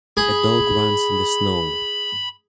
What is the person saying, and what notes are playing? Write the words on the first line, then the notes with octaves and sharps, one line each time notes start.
A dog runs in the snow.
G#4 B5